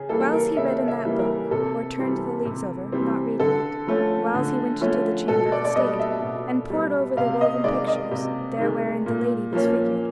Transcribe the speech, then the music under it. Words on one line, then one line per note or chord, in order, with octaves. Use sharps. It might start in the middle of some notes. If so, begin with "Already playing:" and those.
Whiles he read in that book, or turned the leaves over, not reading it; whiles he went into the Chamber of Estate, and pored over the woven pictures there wherein the Lady was figured.
Already playing: C#3 G#4
E3 G3 A#3 A4
A#4
C#3 E5
E5
E3 G3 A#3
A#4
C3 A4
E3 G3 C4
C3
E3 G3 C4
D3 A4
F3 A3 C#4
D3
F3 A3 C#4
B2 A4
D5
D5
G3 B3 D#5
E5
B2
G3 B3
C3 F5
D#5
D#3 G#3 D5
D#5
C3
D#3 G#3
A#2
F3 A#3 C#4